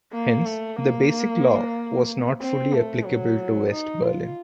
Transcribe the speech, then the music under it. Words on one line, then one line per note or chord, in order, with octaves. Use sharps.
Hence, the Basic Law was not fully applicable to West Berlin.
A#3
A3
A#3
C4
A3
F#3
D#4
F4